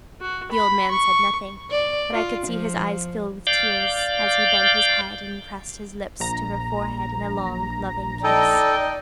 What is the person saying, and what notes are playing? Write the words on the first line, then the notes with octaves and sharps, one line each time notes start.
The old man said nothing: but I could see his eyes fill with tears, as he bent his head and pressed his lips to her forehead in a long loving kiss.
F#4
B5
C#6
D5
F4
F3
D5 F5 G6
A#1 A#5
D#4 A4 D5 D#5 G5